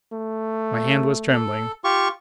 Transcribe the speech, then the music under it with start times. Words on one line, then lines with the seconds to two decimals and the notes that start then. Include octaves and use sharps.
My hand was trembling.
0.13 A3
1.33 A4
1.84 F4 G4 C#6